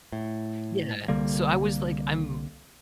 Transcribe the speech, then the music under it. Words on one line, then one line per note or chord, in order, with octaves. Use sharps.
Yeah. So, I was, like, I'm
A2
C2 D3 G3 A#3